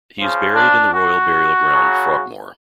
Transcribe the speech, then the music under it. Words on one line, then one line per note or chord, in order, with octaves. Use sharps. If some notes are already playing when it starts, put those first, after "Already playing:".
He is buried in the Royal Burial Ground, Frogmore.
C#3 F3
D4
F#4
C#3 F#3